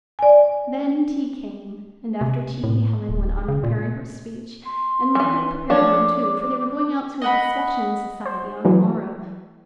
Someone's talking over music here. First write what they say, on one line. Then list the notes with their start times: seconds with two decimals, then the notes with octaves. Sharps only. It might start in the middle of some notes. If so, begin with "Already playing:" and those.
Then tea came, and after tea Helen went on preparing her speech, and Margaret prepared one, too, for they were going out to a discussion society on the morrow.
0.19 D5 G#5
2.21 C3
2.63 A2
3.09 D1
3.48 C#3
3.63 A#2
4.66 C6
5.15 E3 F#3
5.70 F3 D4 C#5 D6
7.22 D#5 F#5 B5
8.26 C5
8.65 E3 F#3